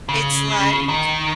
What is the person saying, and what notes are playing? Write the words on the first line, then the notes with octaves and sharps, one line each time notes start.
it's like
C#3
D#3